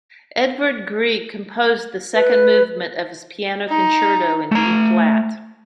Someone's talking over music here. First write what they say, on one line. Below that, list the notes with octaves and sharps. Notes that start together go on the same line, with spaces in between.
Edvard Grieg composed the second movement of his Piano Concerto in D-flat.
B4
D#4
A3 A#5